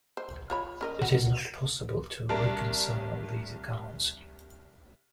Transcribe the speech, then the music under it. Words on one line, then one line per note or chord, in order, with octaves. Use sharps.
It is not possible to reconcile these accounts.
C5
F4 C#5 B5
C#4 A#4 D#5
F#4
C2 G3 D4 A#4 A5